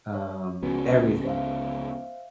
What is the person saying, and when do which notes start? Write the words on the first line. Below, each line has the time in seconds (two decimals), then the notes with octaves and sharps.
um, everything.
0.15 C#5
0.62 C#2 B3 C#4 F#4
1.25 C5 E5 F5